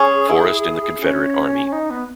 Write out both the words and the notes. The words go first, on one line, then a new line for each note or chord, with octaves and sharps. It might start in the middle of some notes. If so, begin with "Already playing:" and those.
Forrest in the Confederate Army.
Already playing: C#4 G#4
E4
C#4
D#4
B3